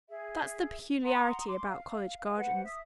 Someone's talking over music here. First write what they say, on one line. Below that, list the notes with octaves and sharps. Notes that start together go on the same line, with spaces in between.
That's the peculiarity about college gardens.
G#4 E5
F#5 A#5 C6 D#6
C6 D6
F5
B4 C5 F#5
E5 D#6